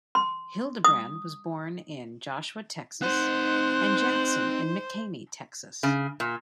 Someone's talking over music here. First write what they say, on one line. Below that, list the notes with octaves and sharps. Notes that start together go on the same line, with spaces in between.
Hildebrand was born in Joshua, Texas, and Jackson in McCamey, Texas.
C6
D#6
C4 D#4 C5 F#5 F#6
C#3
A#2